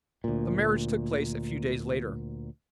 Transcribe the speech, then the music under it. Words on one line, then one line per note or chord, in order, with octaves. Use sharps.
The marriage took place a few days later.
D2 A#2